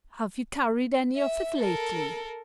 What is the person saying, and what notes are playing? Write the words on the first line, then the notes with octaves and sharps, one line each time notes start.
"Have you carried any of It lately?"
E5
A4 A#4